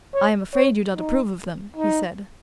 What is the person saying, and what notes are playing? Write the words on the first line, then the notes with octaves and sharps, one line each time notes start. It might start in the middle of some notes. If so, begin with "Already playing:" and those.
"I am afraid you don't approve of them," he said.
C#5
C#5
D#4
D#4